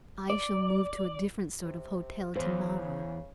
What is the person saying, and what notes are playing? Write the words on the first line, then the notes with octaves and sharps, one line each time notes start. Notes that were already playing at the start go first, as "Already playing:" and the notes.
I shall move to a different sort of hotel to-morrow.
D5
C3
E2 G#2 C#3 C5